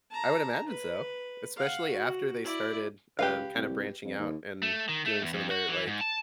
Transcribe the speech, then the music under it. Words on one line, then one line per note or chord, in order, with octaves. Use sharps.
I would imagine so. Especially after they started, um, kinda branching out and doing some of their, like,
A5 A#5
B4
F5 F#5
F#4
E4 D5
C#2 G4 B4 F5
C2
F2
D#2
A3
D#3
A3
E2
F2
F#4
E3
G#2
A5